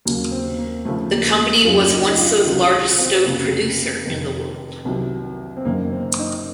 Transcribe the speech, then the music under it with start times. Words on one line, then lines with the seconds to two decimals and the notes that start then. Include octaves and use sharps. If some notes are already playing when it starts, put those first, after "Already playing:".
The company was once the largest stove producer in the world.
0.05 D#2 C#3 F#3 A#3
0.31 C4
0.59 A#3
0.85 D#2 C#3 F3 A3
1.12 A#3
1.39 A#3
1.65 F#1 F#2 C#3 F#3 F4
1.92 D#4
2.10 D#4
2.18 F4
2.45 C#2 C3 D#3 F#3 F4
2.72 F4
2.99 C4
3.25 F1 F2 C#3 A#3
4.05 F1 F2 D#3
4.85 C2 C3 D#3 F#3
5.57 C4
5.65 F#1 F#2 D#3 A#3
5.92 C4
6.19 D#4